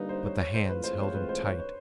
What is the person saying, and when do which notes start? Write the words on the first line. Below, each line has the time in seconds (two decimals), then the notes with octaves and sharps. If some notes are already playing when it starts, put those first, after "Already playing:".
But the hands held him tight.
Already playing: G2 D3 G3 A#3 D#4 B4
0.09 C5
0.25 C#5
0.40 C#5
0.54 C5
0.65 C5
0.69 A2 E3 G#3 C4 F4 B4
0.84 C5
0.99 C#5
1.14 B4
1.29 C5
1.44 C#5
1.59 C#5